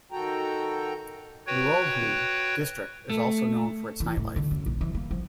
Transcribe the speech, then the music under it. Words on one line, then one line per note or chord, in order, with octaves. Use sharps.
Luohu district is also known for its nightlife.
D#3 F#4 A4 G5 A#5
F#4 B4 C#5 G5
A3
E3
A2
D3
F#2
A#1
E3
A#3
F3